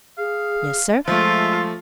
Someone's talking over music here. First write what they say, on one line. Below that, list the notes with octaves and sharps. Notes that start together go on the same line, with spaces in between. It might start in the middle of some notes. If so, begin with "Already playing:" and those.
"Yes, sir."
G#4 F5
F3 G#3 A3 F4 E5